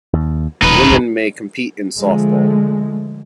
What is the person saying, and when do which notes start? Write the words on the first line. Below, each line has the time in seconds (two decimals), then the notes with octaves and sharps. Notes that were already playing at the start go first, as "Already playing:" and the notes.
Women may compete in softball.
0.13 D#2
0.62 D#1 B2 D#4 B4
0.89 G#1 C#2 F#2
1.97 D3 F3 G#3 A3